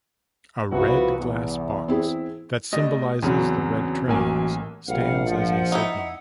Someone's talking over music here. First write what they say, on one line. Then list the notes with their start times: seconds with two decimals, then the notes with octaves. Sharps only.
A red glass box, that symbolizes the red trains, stands as a "signal".
0.72 C2 F3 F#4 B4
1.17 E2
1.88 C4 E4 G#4
2.73 A2 G4 D5 D#5
3.23 E2 C#3 F#3 C4 C#4
4.08 A1 E2 F#3 A#3 G#5
4.88 A#1 C3 G3 F5 F#5
5.27 F3
5.72 D#4 E4